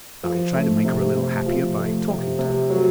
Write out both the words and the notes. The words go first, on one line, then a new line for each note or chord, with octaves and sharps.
I tried to make her a little happier by talking to her.
F3
A3
C3
C3
F3
A3
C3
C3
F#3